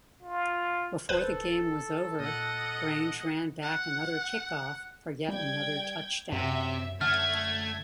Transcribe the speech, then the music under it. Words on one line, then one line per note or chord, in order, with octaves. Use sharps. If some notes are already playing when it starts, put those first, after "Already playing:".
Before the game was over, Grange ran back another kickoff for yet another touchdown.
F4
D1 A4 B4 C5
A#2 D#5 F#5
F#5
G3 G5 G#6
F#2 C3 E5
F#2 D3 A3 F6 G#6